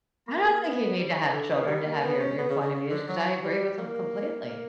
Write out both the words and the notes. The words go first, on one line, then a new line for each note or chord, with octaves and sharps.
I don't think you need to have children to have your your point of views 'cause I agree with 'em completely.
A#3
A#3
B3
G3
F#3
E3
D3
E3
A#3
G3
A#3
B3
C#4
B3
C#3
C#3
C#3
D3
F#3
G3
A#3
A#3